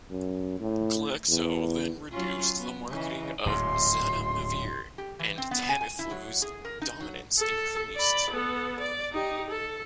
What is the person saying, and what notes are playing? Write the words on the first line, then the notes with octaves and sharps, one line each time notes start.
Glaxo then reduced the marketing of zanamivir, and Tamiflu's dominance increased.
F#2
A2
E2
F#3 C#4 F4
B3
C#3 E3 D#4
D1 G#2 C6
G4
E3
C4
B3
G#5
G#5
E4
F#3
G#4
A#4
D#4
F#3
A4
D5 B5
B3 A4
D5
D#4 G4
A4